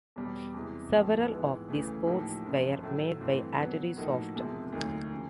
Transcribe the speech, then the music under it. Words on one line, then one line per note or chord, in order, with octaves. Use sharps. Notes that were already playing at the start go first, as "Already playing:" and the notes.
Several of these ports were made by Atarisoft.
E2 B2 G3
E2 C3 E3 G#3
A#1 A2 F3
G#2 E3 G#3 B3
D2 C#3 E3 A3
A2 F3 A#3 D#4 G4
G#1 F#2 C#3 F3
A2 F#3 A3
G2 E3 A3 C4
B2 F#3 B3
A2 F3 A#3 D#4 F#4
E1 E2 C3 F3 G#3
D2 D3 F#3 A#3 D#4
C#3 F3